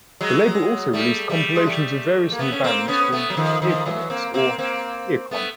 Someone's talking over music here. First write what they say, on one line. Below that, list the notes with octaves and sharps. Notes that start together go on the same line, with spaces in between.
The label also released compilations of various new bands called 'ear comics' or "Earcom".
F#3 G#3
G3 A3
G3 A3
G#3
G3 A3
A#3
A3 B3
C#4
A#3 C4
B3 C#4
A3 B3
F#3
D#3 F3
D#3 F3
E3 F#3
A#3 C4
A#3 C4
A#3 C4
A3 B3